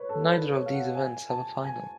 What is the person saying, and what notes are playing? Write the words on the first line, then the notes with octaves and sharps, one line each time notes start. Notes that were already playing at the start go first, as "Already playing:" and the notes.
Neither of these events have a final.
Already playing: B4 C#5
A4
B4
C#5
F5
F#5
G#5
A5
G#5